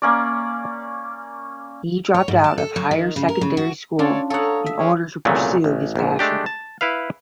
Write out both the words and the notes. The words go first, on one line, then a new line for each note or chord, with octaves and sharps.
He dropped out of higher secondary school in order to pursue his passion.
A#3 C#4 D5
C#5
G#2
A5
A4
F#3
D#3
C#3
A#4
C#3
F#4
C#4 D4 F4 A4 C#5 D5
A4 C#5 F5 F#5 A#5 D#6
E5
G#3 C#4 G4
C2 A#2 C#3 F#3 A3
A1
A#1 G#2
G#3 A3 D4 G4
A5
E4 B4 F5